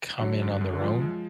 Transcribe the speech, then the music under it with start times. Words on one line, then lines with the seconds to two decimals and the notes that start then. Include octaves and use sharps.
come in on their own,
0.21 D3 F#3
0.42 F#2
0.61 F#2
0.73 D3
0.81 F3 G#3
1.01 G#3